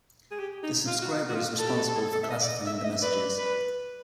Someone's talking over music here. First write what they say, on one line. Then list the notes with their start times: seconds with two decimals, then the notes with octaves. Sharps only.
The subscriber is responsible for classifying the messages.
0.31 G#4
0.39 G4
0.63 D#4
0.87 F4
1.02 F#4
1.11 F4
1.29 F#4
1.35 F4
1.59 A4
1.66 G4
1.77 F#4
1.95 G#4
2.12 A4
2.23 E5
2.30 D#5
2.41 D5
2.48 D#5
2.66 E5
2.78 E5
2.84 D#5
3.02 B4 D5
3.38 B4